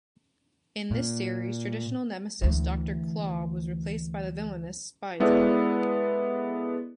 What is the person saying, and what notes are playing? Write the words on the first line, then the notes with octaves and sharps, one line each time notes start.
In this series, traditional nemesis Doctor Claw was replaced by the villainess Spydra.
A#2
D2 E3
G#3 B3 E4 A4 D5